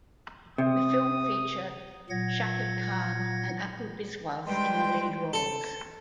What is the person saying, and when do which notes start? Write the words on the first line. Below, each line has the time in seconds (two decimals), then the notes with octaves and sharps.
The film feature Shakib Khan and Apu Biswas in the lead roles.
0.58 C3 D#6
2.10 A#2 F#3 F#5 G#6 A#6
4.46 D#3 G3 G#3 B4 G5 C6
5.33 A4